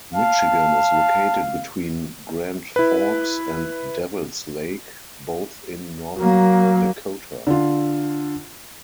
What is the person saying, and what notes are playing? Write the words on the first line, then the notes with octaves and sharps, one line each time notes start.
Michigan is located between Grand Forks and Devils Lake, both in North Dakota.
F5 A5
E4 B4
F#3 A#3
D3 F4